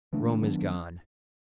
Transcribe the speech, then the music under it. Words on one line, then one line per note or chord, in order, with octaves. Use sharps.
Rome is gone.
C#3 E3 A3 D4
D#3 F#3 B3 D4